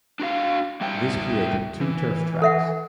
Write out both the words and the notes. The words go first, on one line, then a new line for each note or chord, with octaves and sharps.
This created two turf tracks.
D4 F#4 F5
G3 E5 G5
E3
A4 E5 F#5